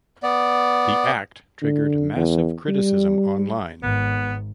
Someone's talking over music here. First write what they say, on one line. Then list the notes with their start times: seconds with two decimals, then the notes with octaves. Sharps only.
The act triggered massive criticism online.
0.23 B3 D5
1.62 D3
2.16 E2
2.68 G3
3.83 G#1 B3